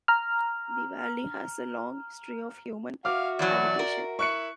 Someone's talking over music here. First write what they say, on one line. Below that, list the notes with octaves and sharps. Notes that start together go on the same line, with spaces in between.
The valley has a long history of human habitation.
A#5 F6
F#4 E5 F5 D6 F6
E2 B2 F#3 D5
A#4
E4 C#6 F#6 C#7